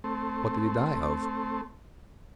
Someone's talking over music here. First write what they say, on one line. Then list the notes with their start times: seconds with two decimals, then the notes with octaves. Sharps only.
"What did he die of?"
0.04 A3 C4